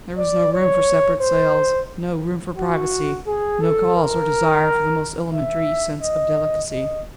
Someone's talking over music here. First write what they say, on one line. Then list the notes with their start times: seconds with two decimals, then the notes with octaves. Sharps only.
There was no room for separate cells, no room for privacy, no cause or desire for the most elementary sense of delicacy.
0.18 D5
0.52 C#5
1.21 C5
2.58 F#4
3.27 G#4
3.61 A4
3.95 A#4
5.33 E5
6.01 D#5
6.70 D#5